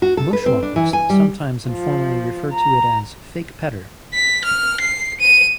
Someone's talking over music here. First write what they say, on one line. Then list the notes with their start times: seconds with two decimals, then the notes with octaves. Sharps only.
Bushwalkers sometimes informally refer to it as "Fake Pedder".
0.02 F#4
0.17 A4
0.33 B4
0.46 C4
0.63 D4
0.76 E3
0.93 G#5
1.10 G3
1.69 F3
2.53 A#5
4.14 B6
4.45 F6
4.80 C7
5.20 D#7